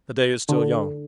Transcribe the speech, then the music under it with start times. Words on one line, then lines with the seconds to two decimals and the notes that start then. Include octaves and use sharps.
The day is still young.
0.49 D3